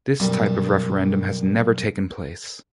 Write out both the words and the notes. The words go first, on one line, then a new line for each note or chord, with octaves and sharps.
This type of referendum has never taken place.
B1 F#2 G3